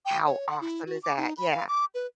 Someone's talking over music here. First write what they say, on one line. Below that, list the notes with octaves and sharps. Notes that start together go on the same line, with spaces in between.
How awesome is that, yeah.
G5
C#5
F#5
E4
F#4
D6
D#4
B5
F5
D6
B4